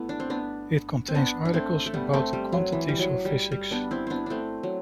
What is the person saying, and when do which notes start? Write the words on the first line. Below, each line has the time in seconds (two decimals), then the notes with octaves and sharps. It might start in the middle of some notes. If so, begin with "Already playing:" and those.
It contains articles about the quantities of physics.
Already playing: A3 B3 E4
0.09 D4
0.20 C4
0.30 B3 D4
1.08 C4
1.14 B3 D4
1.45 D4
1.54 A3 C4
1.86 A3
1.94 G3 B3
2.13 A3 C4
2.33 G3
2.52 F#3
2.72 E3
2.89 G3
2.99 F#3
3.25 G3
3.52 G3
3.71 B3 D4
3.91 C4 E4
4.07 B3 C4 D4
4.26 A3 C4 D4
4.63 F#3